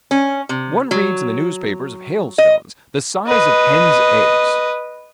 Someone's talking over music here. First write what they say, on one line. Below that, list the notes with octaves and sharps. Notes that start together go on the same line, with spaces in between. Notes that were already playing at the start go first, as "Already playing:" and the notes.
One reads in the newspapers of hailstones the size of hens' eggs.
C#4
C3
F#3
D#5
B4 D#5